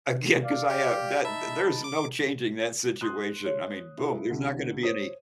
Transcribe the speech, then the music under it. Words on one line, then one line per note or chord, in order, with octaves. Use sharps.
again, 'cause I ha that there's no changing that situation, I mean, boom, there's not gonna be any
D5 F5
G4
D#4 E5 A5 B5
D6
C6 D#6 F#6
C#5
E4 F4 A4
C2 D3
C5 C#5 D#6